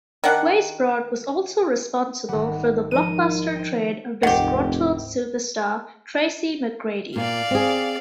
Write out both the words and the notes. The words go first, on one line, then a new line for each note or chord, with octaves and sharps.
Weisbrod was also responsible for the blockbuster trade of disgruntled superstar Tracy McGrady.
D#3 D4 F#5
G#1 G3 F#5
F3 G#3 D#4 A#4 D#7
C5 G5
F1 D2 G#2 D#3 C4 G4 F#5
A#2 D5 F5
C4 G#4